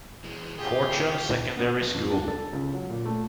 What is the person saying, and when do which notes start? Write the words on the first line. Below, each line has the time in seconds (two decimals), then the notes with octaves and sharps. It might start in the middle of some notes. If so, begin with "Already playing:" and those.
Fortune Secondary School.
0.24 E3 G#3
0.59 F4 G4 G#4
0.89 C4 A4 C5
1.57 B3
1.94 F2
2.10 D4
2.28 A4
2.53 C#2
2.74 F#3
2.90 A#2
3.05 A3